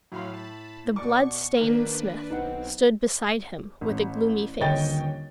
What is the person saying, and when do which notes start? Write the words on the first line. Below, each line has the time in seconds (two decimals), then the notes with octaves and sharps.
The blood- stained smith stood beside him with a gloomy face.
0.12 A2 F#3 F5 B5 C6
0.33 A5 B5
0.96 B2 D5 C#6 D6
1.56 D#3 A#3 D4 B4
2.31 B1 C4 D#4 B4 F#5
3.81 A1
4.60 D#1 D3 C#5 D#5 G5 A6